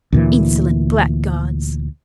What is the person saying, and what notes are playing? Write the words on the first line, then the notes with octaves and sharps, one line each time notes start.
"Insolent blackguards!"
D2 A#2 E3